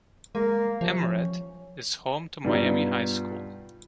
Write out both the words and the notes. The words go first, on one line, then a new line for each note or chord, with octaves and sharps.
Amoret is home to Miami High School.
G#3 A#3
C3 F3
C#4
G2 B2 G3 D#4 F4